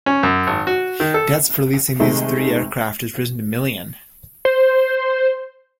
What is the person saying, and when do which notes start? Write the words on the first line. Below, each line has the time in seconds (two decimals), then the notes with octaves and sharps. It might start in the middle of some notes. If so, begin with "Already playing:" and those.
Debts for leasing these three aircraft had risen to million.
0.06 C#4
0.23 F#2
0.47 G#1
0.67 F#4
1.00 D#3
1.14 A4
2.00 C3 D#3 G#3 A3
4.45 C5